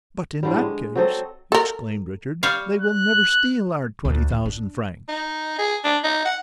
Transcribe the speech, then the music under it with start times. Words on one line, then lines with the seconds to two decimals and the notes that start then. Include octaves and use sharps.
"But, in that case," exclaimed Richard, "they will never steal our twenty-thousand francs!"
0.43 A2 D3 G3
0.57 G#3
0.96 F#3 C4 A4 D#5
1.52 A4 A#4
2.43 G3 C#5 F5
2.82 F#6
4.05 D2
4.30 A2
4.46 D4
5.08 D#4
5.59 G#4
5.84 D4
6.04 D#4
6.25 F#5